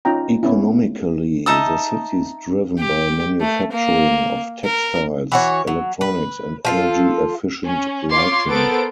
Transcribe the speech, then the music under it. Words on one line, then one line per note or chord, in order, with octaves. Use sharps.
Economically, the city's driven by manufacturing of textiles, electronics, and energy-efficient lighting.
C#4 D#4 F4 G5 A#5
B3 C#4 E4
D#4 E5 A5 D#6
G4
A3
A#3
A#4
E3 F#4 C#5
F#3
B4
F3 F4 A4
C#4
F4 C#5 C6 D6
B3 A4 A#4 C5 D7